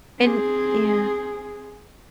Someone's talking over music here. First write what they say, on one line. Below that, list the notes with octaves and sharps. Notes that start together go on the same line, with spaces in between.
And yeah.
C4 G#4